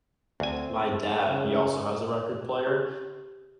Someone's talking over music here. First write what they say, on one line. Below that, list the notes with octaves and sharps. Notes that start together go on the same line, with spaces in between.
my dad, he also has a record player,
D2 C4 G#5
C#3
G4